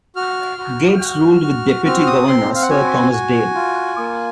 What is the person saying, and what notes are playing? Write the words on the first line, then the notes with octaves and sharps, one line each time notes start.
Gates ruled with deputy governor Sir Thomas Dale.
F#4 F6
F#4
F#4
F#4
C4 F6
D#6
C4 C6
F5
F#5
F#4 G#5
F#4
F4
A#3